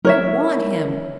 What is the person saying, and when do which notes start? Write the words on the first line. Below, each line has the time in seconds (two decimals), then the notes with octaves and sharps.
I want him.
0.05 A#4 C#5 E5